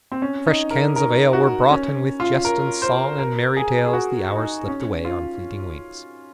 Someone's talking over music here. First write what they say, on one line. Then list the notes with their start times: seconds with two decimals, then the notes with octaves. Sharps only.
Fresh cans of ale were brought, and with jest and song and merry tales the hours slipped away on fleeting wings.
0.12 C4
0.22 C#4
0.46 D#4
0.71 A#4
0.96 A#4
1.33 F#4
1.71 C#4
2.20 F4
2.45 A#4
2.82 C5
3.19 A#4
3.57 G#4
3.86 G#4
3.93 F#4
4.30 D#4
4.68 C#4
5.05 F4